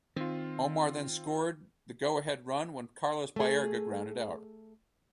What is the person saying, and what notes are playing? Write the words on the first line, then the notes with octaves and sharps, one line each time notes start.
Omar then scored the go-ahead run when Carlos Baerga grounded out.
D#3 C4 F4
A3 G#4